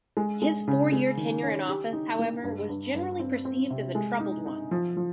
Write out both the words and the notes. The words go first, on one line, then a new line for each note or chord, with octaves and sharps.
His four-year tenure in office, however, was generally perceived as a troubled one.
G#3
G#3
C#3
G#3
D#3
C#4
G4
D#4
A#3
G2
G2
G2
C4
C4
C3
G#3
D#4
D#4
F3
F3